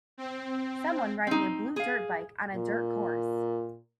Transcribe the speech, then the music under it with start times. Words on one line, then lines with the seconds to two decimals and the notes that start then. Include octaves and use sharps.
Someone riding a blue dirt bike on a dirt course.
0.18 C4
1.27 C4 D#4
1.76 G#4 F5
2.54 A#2